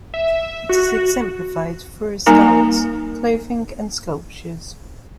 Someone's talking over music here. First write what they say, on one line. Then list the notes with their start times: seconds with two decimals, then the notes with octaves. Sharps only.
It is exemplified through its dance, clothing, and sculptures.
0.14 E5
0.69 F#4
2.26 G3 A#3 D#4 A#4 G#5 A#5